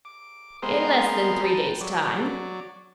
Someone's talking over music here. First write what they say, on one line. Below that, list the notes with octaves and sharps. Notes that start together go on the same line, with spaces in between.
"In less than three days' time."
D6
G#3 B3 C4 A#4 C5
B4 G5 A5 A#5
F#3 D5